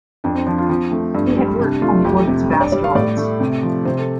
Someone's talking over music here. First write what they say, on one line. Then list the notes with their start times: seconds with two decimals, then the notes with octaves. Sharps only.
He had worked on the orbits of asteroids.
0.24 F2 D4
0.35 C4
0.46 F3 D4
0.58 F4
0.69 F3 C4
0.92 A3
1.14 G2
1.37 G3
1.59 C3 D4
1.82 A3 F4
2.05 F2 G4
2.27 C3
2.50 G2
2.61 D5
2.72 G3 D5
2.84 F5
2.95 A2 D5
3.17 A3
3.40 C3
3.63 F3
3.85 C3 C5
3.99 A4